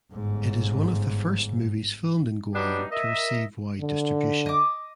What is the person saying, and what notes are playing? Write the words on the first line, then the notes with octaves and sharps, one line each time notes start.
It is one of the first movies filmed in Guam to receive wide distribution.
G1 G#2
F#3 G3 B3 D4 D#4 G4
A#4 D#5 E5
D3
D#5 D6